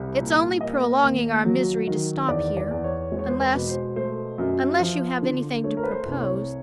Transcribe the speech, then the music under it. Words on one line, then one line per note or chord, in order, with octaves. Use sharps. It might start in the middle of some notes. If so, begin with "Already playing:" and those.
"It's only prolonging our misery to stop here, unless--unless you have anything to propose?"
Already playing: C2 G3
A#2
A#3 D#5
D#2
F#3
D#3
E2 D5
D5
E2
C#5
G#3 C5
C#5
C5
B4
B2
C5
A3 C5
F#2
F3
D3
A3 C#5
A#4
B4
C5
C2
C#5